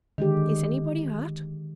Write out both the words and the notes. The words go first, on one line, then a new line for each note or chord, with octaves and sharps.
"Is anybody hurt?"
D3 D#3 G#3 G4